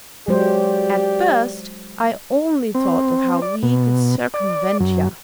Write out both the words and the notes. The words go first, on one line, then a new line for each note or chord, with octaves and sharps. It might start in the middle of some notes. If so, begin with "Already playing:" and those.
At first, I only thought of how we could circumvent yah.
F#3 G#3 G4 C5 D5
C4
D5
B2
D5
F#2